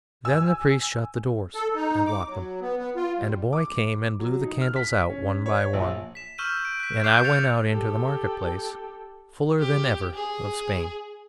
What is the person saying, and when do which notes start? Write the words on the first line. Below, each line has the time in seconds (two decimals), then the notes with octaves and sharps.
Then the priest shut the doors and locked them, and a boy came and blew the candles out one by one, and I went out into the market-place, fuller than ever of Spain.
0.25 G#5 E6
1.54 A4
1.75 D#4
2.07 D6
2.28 F#3
2.61 B3
2.78 B3
2.96 F4
3.18 G3
3.53 D6
4.19 F#3
4.41 D#4
4.61 F6
4.76 B6
5.10 C#4
5.46 C#5
5.73 A#1
6.15 B6 E7
6.38 C#6 E6 F6 G6 D#7 E7
6.65 D7
6.80 F#6 B6
7.04 C#6 D6 F#6 G6 C7
7.23 F6 A6 C#7 F7
7.68 G4 A4
9.59 G4
10.14 G#4